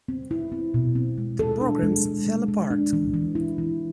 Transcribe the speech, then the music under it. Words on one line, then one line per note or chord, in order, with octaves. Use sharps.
The programs fell apart.
C4
E4
C4
B2
C4
G#3
A4
D4
G#3
G#3
G#3
G#3
D4
E3
E3
E4
E3